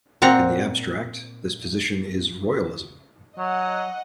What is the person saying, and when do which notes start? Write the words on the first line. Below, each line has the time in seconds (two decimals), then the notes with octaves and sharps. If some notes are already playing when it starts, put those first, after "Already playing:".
In the abstract, this position is royalism.
0.22 A#2 C4 F#5 A#5
3.38 F#3 D#5 F#5